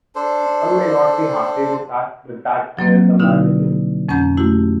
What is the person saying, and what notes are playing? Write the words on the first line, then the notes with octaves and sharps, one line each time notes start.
Some may not be happy with that, but that's where the magic is.
D4 A4 C5
F3 F#3 A#3 C4
B2 D3 D#4 E4 F#4
F2 C#4 F#5 A#5 G6
A3 E4 F#4 G4